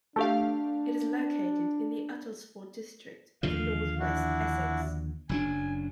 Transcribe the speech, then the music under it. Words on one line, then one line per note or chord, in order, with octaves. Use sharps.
It is located in the Uttlesford district of North West Essex.
A3 D4 G4 F5
D#2 D3 F3 F5
D4 E4 F#4
F#1 F#3 D4 G#5